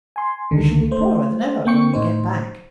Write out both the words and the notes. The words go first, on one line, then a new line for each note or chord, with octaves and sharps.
We shall be poorer than ever when we get back.
G#5 C6
C#2 D3 D#3
A3 C5
A#3 C4 G5 C#6 C#7
A2 D#4 C5